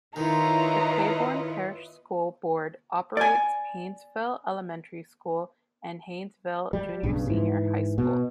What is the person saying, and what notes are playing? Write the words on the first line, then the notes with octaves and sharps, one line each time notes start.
The Claiborne Parish School Board operates Haynesville Elementary School and Haynesville Junior-Senior High School.
D#3 E4 F4 B4 C#5 D#5 A#5
D5 G#5
G3
B1 G2 C#3
G#2 E3
B2